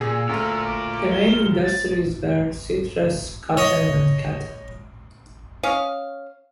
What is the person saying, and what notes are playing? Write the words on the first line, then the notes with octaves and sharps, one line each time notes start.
The main industries were citrus, cotton, and cattle.
A#2 G#4 E6
D2 F4 A#4
D6
G7
A6
C#5 D#5
C#4 D#5 F5